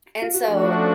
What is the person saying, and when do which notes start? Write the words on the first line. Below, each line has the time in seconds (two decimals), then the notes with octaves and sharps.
and so
0.22 F4
0.34 F#4
0.47 F3 A3 D4 F#4 G#4
0.63 F4
0.77 C#4